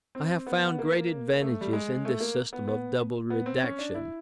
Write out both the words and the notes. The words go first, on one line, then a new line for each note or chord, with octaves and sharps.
I have found great advantages in this system of double redaction.
C4
B3
B3
A#3
A3
G3
G#3
A3
A#3
B3
B3
B3
C4
C#4
D4
E4